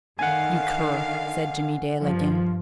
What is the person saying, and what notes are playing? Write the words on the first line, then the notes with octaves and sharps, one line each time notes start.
"You cur!" said Jimmie Dale again.
D3 D#3 F5 F#5 G#5
G2 F3